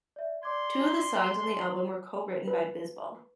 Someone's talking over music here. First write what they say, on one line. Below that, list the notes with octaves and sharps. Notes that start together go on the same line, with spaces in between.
Two of the songs on the album were co-written by Bisbal.
D5 E5
D5 C6 D6 G#6
B4